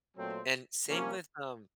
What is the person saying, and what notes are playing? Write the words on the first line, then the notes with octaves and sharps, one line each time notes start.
And same with, um,
A#2 F#3 A3 C4
C3 F3 A#3 C#4